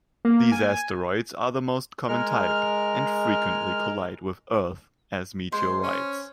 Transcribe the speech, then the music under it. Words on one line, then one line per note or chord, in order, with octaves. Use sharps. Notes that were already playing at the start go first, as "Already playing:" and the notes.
These asteroids are the most common type, and frequently collide with Earth as meteorites.
A#3
G#5
G#3 A#4 F6
G#3 C5
C#4